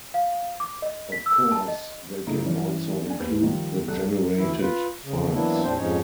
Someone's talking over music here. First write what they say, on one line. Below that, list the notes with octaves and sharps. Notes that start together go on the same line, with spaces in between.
Of course, they can also include the generated files.
F5
D6
D#5
B6
E6
A5
D#5
C#3 A3 D#4 E4
G2 E3 C#4
D4 G#5
D#2 B4
D#3 F3 G3
C2 F#3 A4 F#6
D2 E3 E4
F4 B4
C#3
E3 F#3 A#3 B3 D4 E4
D#2 A2 C4 D4 C5
F2 G#2 F3 C#4 D#4 C#5